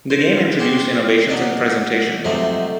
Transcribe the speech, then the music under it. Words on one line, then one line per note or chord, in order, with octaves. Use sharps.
The game introduced innovations in presentation.
C5
G4 G#4 C5 G5
F#3 D4 D#5
G#2 C3 F3 F#3 A3 D#5